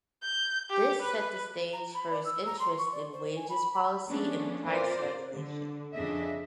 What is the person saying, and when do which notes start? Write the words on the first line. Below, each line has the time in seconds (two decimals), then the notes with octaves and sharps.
This set the stage for his interest in wages policy and price regulation.
0.23 G6
0.70 G4
1.02 B4
1.73 A#5
1.94 B5
2.10 D5
2.25 E6
2.46 A#5
2.59 C6
2.78 C#6
2.92 D5
3.12 C5
3.36 G#5
3.49 B5
3.73 B5
4.07 F3 A3 B3 C#4 D4
4.63 C4 F4 A#4 C5 D5
5.32 D3
5.92 F2 C#3 D4 G#4 D#5 E5